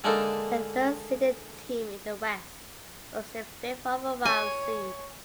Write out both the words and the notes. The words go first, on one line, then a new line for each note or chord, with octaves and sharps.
The third seeded team in the West was the fifth overall seed.
D3 G#3 A#3 D4 D#4 A4
C#5 G#5